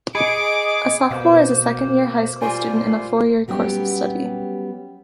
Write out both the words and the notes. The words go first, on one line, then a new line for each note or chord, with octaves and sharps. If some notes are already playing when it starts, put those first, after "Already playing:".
A sophomore is a second-year high school student in a four-year course of study.
G#4 D#5 B5 D6 C#7 D7
B2 A#3 C5 F5 F#5
G3 A#3 F4 C5 G#5
F#3 G3 B3 C#4 G4